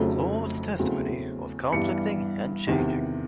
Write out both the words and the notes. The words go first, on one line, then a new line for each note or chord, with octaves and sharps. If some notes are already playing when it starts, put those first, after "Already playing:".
Lord's testimony was conflicting and changing.
Already playing: F1 F2 C#3 F#3 A3
E2 C#3 F#3 A3 C4
G2 E3 G3 B3 C#7
E2 C3 D#3